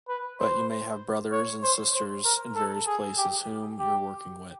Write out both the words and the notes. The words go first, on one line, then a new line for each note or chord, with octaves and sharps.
But you may have brothers and sisters in various places whom you're working wit.
B4
C5
C#5
C5
C5
A#4
A4
G#4
G4
G4